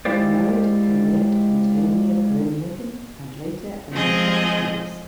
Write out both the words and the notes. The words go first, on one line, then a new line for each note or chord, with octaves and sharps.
He married Henriette Antonia Groenewegen and later Enriqueta Harris.
G#3 E4 F4 G4 C5 D5
F3 G#3 C4 G#4 D#5